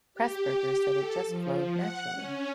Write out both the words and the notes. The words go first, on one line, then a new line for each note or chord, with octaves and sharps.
Pressburger said it just flowed naturally.
G4
G4
A4
F3
F#5
C#4